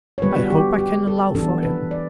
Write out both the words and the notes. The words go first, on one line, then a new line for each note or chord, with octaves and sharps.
I hope I can allow for him.
C#5
D3 G3 B3 B4
F#4
G4
G4
A4
E3 B3 D4 A4
B4
D5